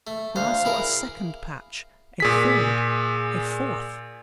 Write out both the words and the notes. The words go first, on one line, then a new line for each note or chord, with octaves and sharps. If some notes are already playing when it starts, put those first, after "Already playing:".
Then I saw a second patch--a third--a fourth!
A3
D2 C5 F5
E4 G#4 A#4
A#2 G#4 B6